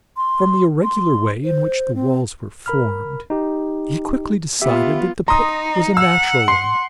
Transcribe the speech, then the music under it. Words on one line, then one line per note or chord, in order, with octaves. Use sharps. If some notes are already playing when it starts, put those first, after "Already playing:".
From the irregular way in which the walls were formed, he quickly decided that the pit was a natural one.
C6
C6
C5
C4
A#4 B5 F6
D#4 G4
B3 F4 G4 E5
D#4 A#5 C6 D#6
F#5 E6
C6 C7